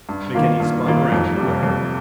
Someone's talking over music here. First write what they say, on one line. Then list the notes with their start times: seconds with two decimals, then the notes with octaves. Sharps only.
McKenny spun around and glared.
0.09 G2
0.35 D#3 A#3 F4
0.60 G2
0.86 D#3 A#3 F4
1.12 F2
1.37 C3 G3
1.63 F2